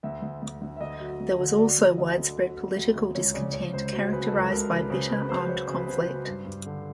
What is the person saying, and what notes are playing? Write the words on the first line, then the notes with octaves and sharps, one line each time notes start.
There was also widespread political discontent characterized by bitter armed conflict.
D2 E5
D2
D2
D2
E5
D2 D#5
F#3
D2
D3
F#3 D5
D2
D2 D#5
D3
F#3
F#3
D2
D2
C#2 C#5
C#3 D5
C#3 C#5
C#2 C5
F#3 C5
C#3 B4
A4
C#2 A#4
C#2 A#4
C#3 B4
C#3 C5
C#3 B4
F#3 C5
F#3 C#5
C#3
B4
F#3 C5
C#3
G2
G2
D3